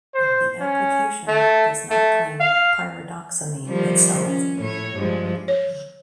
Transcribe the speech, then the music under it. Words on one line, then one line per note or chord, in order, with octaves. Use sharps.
The application does not claim pyridoxamine itself.
C5
C#4
A3
A3
F5
D#3 F3 G3
C#4
A2 C#5
G2 F3 G#3
C#5